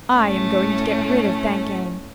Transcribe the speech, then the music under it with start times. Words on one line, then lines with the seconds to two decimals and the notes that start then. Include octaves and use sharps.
'I am going to get rid of Thakane.'
0.17 A2 A3 C#4